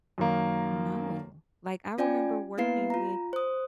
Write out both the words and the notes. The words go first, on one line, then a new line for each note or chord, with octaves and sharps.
No. Like, I remember working with
F#2 D#3 A#3
C#4 F4 D5 G5 G#5
A#3 B3 E4 B4 F5 C7
F4 A#5
C5 D#6